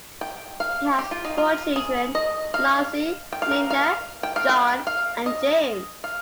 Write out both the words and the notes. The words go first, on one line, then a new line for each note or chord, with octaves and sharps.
He has four children; Nancy, Linda, John, and James.
G5
F5
G4
F4
D#4
F4
G#4
D#5
F5
G5
F5
A#4
F5
G5
F5
G5
F5
D#5
F5